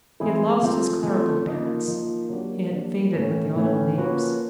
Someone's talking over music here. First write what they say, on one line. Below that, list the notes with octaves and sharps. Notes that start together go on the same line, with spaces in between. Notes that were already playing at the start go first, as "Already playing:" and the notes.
He had lost his clerical appearance--he had faded with the autumn leaves.
E3 G#3 C4 E4 G#4
F3 A3 C4
F3 A3 C4
F3 A#3 D#4
F3 A#3 D#4
F#3 A#3 D4 G4
F#3 A#3 D4 G4
A2 E3 A3 C#4
A2 E3 A3 C#4
F3 A#3 C#4 F#4 B4